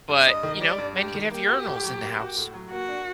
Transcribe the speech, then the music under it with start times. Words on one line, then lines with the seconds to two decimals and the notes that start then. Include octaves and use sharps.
but, you know, men could have urinals in the house.
0.09 G2
0.27 G2 D#5
0.43 D#3
0.61 G3 D5
0.78 G2
0.96 G2 G4
1.14 D#3
1.31 A#3 G4
1.48 F#4
1.66 A2
1.83 F#3
2.02 A#3
2.20 F#4
2.36 A2
2.54 F#3
2.71 A#3 F#4
2.88 D4